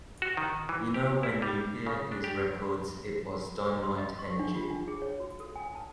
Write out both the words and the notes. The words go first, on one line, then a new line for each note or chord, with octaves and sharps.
You know when you hear his records it was dynamite energy.
F#4
D#3
E3
G4
E4
G3
C#3
D4
G4
C6
D#5
C#6
D4
F4
D4
G#4
C#5
F#4
A4
G#5
A5